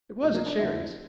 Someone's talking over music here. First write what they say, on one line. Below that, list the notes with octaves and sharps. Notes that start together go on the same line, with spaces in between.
It was at Sherry’s.
D2 C3 F3
A#3 A#4
D4 D5
F2 D3 A3 E4 E5